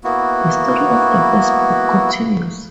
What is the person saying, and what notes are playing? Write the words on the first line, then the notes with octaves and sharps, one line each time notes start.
The story of the first book continues.
A#3 B3 E4 F#4